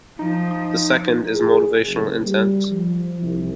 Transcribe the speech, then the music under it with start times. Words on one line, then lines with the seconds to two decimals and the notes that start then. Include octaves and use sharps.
The second is "motivational" intent.
0.19 F3 D#4
1.35 G#4
1.87 F#1
2.26 G3
2.71 F3
3.22 C2